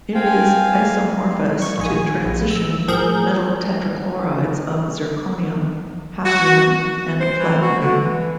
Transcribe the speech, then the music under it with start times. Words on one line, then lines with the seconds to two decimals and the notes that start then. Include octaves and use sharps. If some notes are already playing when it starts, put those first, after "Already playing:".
It is isomorphous to transition metal tetrachlorides of zirconium, hafnium, and platinum.
0.15 C4 F5 G#5
1.62 C#6
1.78 A#1 D#3 G#5
2.25 A#1
2.50 E6
2.88 A2 F3 G#4 A#4 G6
6.25 F#4
7.20 C5
7.38 E3
7.61 F#4
7.80 D3
8.00 E3